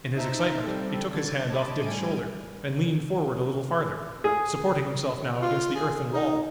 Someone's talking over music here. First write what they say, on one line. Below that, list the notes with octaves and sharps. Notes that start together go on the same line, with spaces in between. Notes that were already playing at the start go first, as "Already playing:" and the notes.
In his excitement he took his hand off Dick's shoulder and leaned forward a little farther, supporting himself now against the earthen wall.
D#4 C5 E5 A5 A#5
G3 C4 A4
D3 G#6 A6
D#5 A5 B5 D6
A2 G3 G#5 D7 D#7
G#4
F4
G#4
D#4